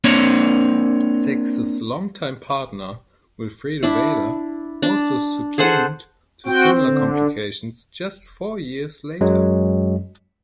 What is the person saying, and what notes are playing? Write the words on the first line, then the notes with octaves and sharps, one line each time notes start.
Sex's longtime partner, Wilfredo Vela, also succumbed to similar complications just four years later.
A#3 C4 D4 C#5
D4 E4
D4
G#4 A4 C5 F#5
C4 F#4 G5
D3
F#2 F#3 G#3